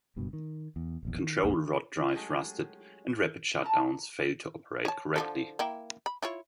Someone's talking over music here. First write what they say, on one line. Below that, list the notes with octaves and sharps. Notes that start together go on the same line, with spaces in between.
Control rod drives rusted, and rapid shutdowns failed to operate correctly.
F#1 G2 B2
D#3
E2
E1 A#1 E2
D#3
B1 F2 A#3
F#3 G#3 A3 C#4 G4
A5 A#5
C#5 A5
D3 F3 A4
A#3 E4 G5
B5
E4 F4 C#5